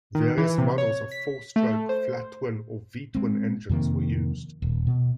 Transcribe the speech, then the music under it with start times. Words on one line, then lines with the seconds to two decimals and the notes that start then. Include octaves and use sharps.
Various models of four-stroke, Flat-twin or V-twin engines were used.
0.15 D#3
0.38 E3
0.58 C3
0.78 C#5
1.12 B6
1.56 A3
1.89 C5
3.15 G#3 C4
3.69 F2 C3 D#3 A#3
4.62 D#1
4.87 B2